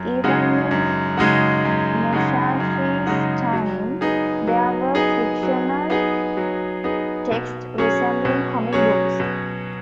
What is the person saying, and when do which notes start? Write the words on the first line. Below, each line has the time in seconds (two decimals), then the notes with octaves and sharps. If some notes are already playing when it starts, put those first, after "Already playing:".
Even in Musashi's time there were fictional texts resembling comic books.
Already playing: F#2
0.24 C#3 G#3 D#4 F#4
0.71 F#2
1.17 C#3 G#3 D#4 F#4
1.65 F#2
2.13 C#3 G#3 D#4 F#4
2.60 F#2
3.07 C#3 G#3 D#4 F#4
3.53 F#3
4.01 B3 D#4 G#4
4.47 F#3
4.95 B3 D#4 G#4
5.43 F#3
5.90 B3 D#4 G#4
6.37 F#3
6.84 B3 D#4 G#4
7.31 B2
7.78 F#3 C#4 G#4 C#5
8.25 B2
8.73 F#3 C#4 G#4 C#5
9.20 B2